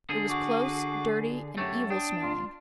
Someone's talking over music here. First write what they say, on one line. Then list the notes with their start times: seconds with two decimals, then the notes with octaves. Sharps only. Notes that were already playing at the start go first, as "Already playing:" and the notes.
It was close, dirty, and evil smelling.
0.10 D3 G#4
0.29 F#4 D6
1.58 F#2 A3 G4 C#5
1.90 D4 G5 D#6
2.22 F4